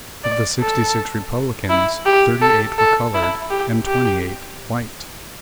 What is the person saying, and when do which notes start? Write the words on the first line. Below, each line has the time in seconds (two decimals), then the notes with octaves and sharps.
Of the sixty-six Republicans thirty-eight were colored and twenty-eight, white.
0.24 D5
0.60 A4
1.69 E4
2.06 G4
2.41 A4
2.78 A4
3.14 E4
3.50 G4
3.87 G4